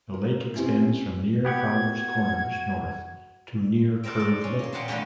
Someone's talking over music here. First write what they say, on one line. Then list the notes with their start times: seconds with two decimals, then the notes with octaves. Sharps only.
The lake extends from near Fowlers Corners north to near Curve Lake.
0.14 A#4
0.55 C4 C#4 E4 F#4 G4 C5
1.45 B3 F#4 G4 F#5 G#6
4.03 D4 A4 A#4 C5 G5
4.19 D5
4.41 C#4 C6
4.59 A#3 G#4
4.73 A#2 A#3 G4 F#5 A5 C6
4.88 E2 D3 G3 A3 F4 B4